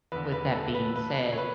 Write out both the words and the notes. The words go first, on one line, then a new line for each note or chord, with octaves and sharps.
with that being said,
E2 D3 B4
B4
A4
B4
B4
C#5
B4